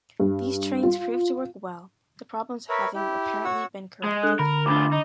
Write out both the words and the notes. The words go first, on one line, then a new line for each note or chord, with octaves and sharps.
These trains proved to work well, the problems having apparently been corrected.
G2
F4
A#4 B4 C#5 E5
E4 G4
F#4 C#5 F#5 E6
G#3
D4 A4 F#6
D3 A#4 B5
D2 D4 F4 B5 D6
D#4